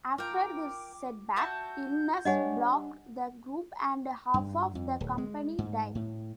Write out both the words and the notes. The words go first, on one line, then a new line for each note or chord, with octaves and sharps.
After this setback, illness plagued the group and half of the company died.
F4 A#4 G5 D6
F#4 E5 A5 G6
G3 D4 C#5 D#5 F#5 G#5
G2
F2
D1
G#3
G#2
A2